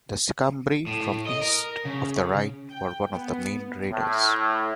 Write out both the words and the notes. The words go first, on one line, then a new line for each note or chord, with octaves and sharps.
The Sicambri, from east of the Rhine, were one of the main raiders.
A2
D#5
A#4
C#3
G5
B3
A2